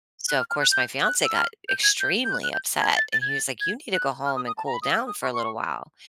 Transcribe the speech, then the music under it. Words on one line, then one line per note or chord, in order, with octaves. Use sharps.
so, of course, my fiance got extremely upset, and he was, like, "You need to go home and cool down for a little while.
F#6
F6
F6
F#6
G6
F#6
E6
F6
G6
G#6
G6
G6
F#6
F#6
G6
G#6
A6
A6
G#6
A6
G#6
F#6
F6
D#6
D#6
A5
A#5
B5
D#6
E6
D#6
C#6
C#6
C6
C#6